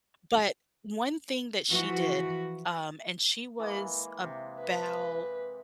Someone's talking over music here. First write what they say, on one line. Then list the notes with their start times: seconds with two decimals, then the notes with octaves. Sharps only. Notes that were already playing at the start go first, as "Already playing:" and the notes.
but one thing that she did, um, and she was about
1.69 E3 F3 F#4
3.59 E3 G#3 A#3
4.23 C3
4.61 B4